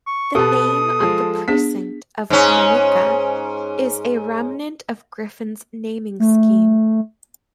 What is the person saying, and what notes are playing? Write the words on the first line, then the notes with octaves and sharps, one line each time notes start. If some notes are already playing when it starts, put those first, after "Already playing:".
The name of the precinct of Manuka is a remnant of Griffin's naming scheme.
C#6
B2 B3 G4 A4 A5 C#6 D#6
F3 G#3
B3 D4 G#4 B6
G#2 C#4
A3